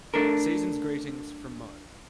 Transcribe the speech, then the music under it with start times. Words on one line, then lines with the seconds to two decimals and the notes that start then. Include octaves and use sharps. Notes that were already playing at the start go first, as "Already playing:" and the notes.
Season's Greetings from moe.
0.14 A3 D4 A4 A#4